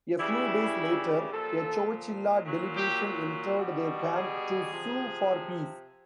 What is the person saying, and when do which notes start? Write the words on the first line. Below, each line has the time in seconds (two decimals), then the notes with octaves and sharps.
A few days later, a Chowchilla delegation entered their camp to sue for peace.
0.19 C#3 E3 G3 E4
1.32 A#2 F3 A4
2.45 A#2 F#3
2.74 G4
3.59 B2 G3
4.16 G#4
4.72 C3 F3